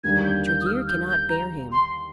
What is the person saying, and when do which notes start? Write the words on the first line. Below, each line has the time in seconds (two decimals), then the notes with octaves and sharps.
Tregear cannot bear him.
0.04 D#2 D3 G3 A#3 G#6
0.24 G6
0.46 G6
0.61 D#6
0.66 F6
0.88 G6
1.09 G6
1.29 A#5
1.72 C6